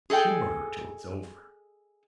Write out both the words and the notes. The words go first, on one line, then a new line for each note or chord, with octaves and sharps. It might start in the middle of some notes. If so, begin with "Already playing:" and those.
Humour her till it's over.
G#4 A4 D#5 G5 G#5